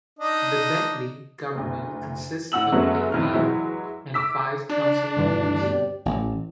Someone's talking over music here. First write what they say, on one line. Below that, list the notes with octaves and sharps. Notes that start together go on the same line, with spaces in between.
The Bentley government consists of a mayor and five council members.
D4 D#4 D#5
F#1 D2
A2 F#5 E6 F#7
F#2 F#3 G#3 A3 B3 C#4
C2 F2 A2 F6
E3 F#3 G#3 E4
D6 E6 B6
D4 D5
D2 G2 D#3 E3
B2 C4 G4 D5
A1